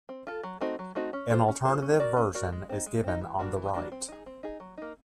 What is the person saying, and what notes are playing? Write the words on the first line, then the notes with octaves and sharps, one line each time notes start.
An alternative version is given on the right.
C4
F4 A4
F#3
A3 C4 D#4 F#4
F#3
A3 C4 D#4 F#4
C#4
F4 A4 C5
C#4
F4 A4 C5
C#4
F#4 A#4 D5
C#4
F#4 A#4 D5
G#3
C4 D#4
G#3
C4 D#4
E3
G3 A#3 D4 F#4
E3
G3 A#3 D4 F#4
C4
D#4 G#4
C4
D#4 G#4
F#3
A#3 D#4